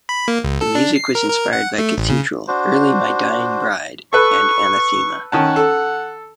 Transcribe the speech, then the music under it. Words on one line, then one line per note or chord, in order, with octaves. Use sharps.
The music was inspired by Cathedral, early My Dying Bride and Anathema.
B5
A#3
C#2
A4
D4
C7
A#4
A#4
F#5
A3
A1
C#3
D4 F#4 C5
A4 B4 C#6
D#3 C#4 F#5 A5
A4